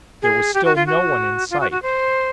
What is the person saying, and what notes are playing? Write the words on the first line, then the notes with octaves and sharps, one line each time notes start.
There was still no one in sight.
G#4
G4
F#4
F4
F#4
F4
F#4
F#4
C5